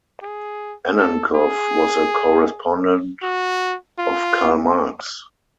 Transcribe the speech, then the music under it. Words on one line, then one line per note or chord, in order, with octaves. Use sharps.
Annenkov was a correspondent of Karl Marx.
G#4
A4
G#4
F#4
F4